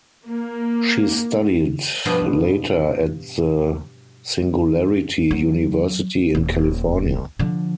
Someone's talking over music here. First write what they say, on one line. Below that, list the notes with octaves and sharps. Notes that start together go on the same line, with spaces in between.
She studied later at the Singularity University in California.
A#3
G2 B2 F3 B3
F#3
D#1
D3 F3